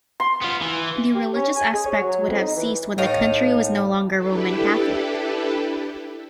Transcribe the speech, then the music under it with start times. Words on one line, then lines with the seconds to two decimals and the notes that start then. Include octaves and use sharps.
The religious aspect would have ceased when the country was no longer Roman Catholic.
0.20 C6
0.41 B3 F4
0.61 E3
1.14 G4
1.33 C#4
1.55 G#5
1.72 G#4
1.86 C#5
2.01 F#3
2.27 F2
2.41 D#4
2.54 E3
2.98 A2 D#4 D#5 F5
4.15 D4 E4 G4 A4 B4